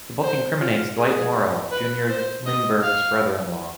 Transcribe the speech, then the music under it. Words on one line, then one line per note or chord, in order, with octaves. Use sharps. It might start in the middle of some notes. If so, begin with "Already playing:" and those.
The book incriminates Dwight Morrow, Junior Lindbergh's brother-in-law.
C5
F4
G#4
B4
C5
D#5
F5